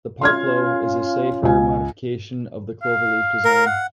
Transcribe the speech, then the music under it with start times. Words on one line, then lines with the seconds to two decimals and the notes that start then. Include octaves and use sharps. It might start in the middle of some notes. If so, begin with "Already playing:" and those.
The parclo is a safer modification of the cloverleaf design.
0.21 C#4 F4 C6 F6 G#6
1.43 C#2 G#5
2.83 F5
3.45 A#4
3.66 F#5